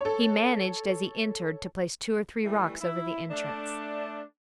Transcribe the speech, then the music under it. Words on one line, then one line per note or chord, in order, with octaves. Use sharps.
He managed as he entered to place two or three rocks over the entrance.
A4 C#5
E3 G3 A3
E4
A3 D4